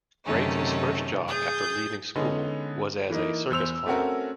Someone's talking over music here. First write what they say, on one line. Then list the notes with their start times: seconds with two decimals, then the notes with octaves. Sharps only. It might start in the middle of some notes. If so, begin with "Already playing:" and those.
Graves's first job after leaving school was as a circus clown.
0.25 F#2 C3 D#3 A3 C#4 D#4
1.27 G#4 G6 A6
2.16 D3 G#3 B3 C#4 D#4
3.10 E3 A#3 D#4
3.51 E2 C5 E6 F7
3.86 A3 C4 C#4 F#4 A#4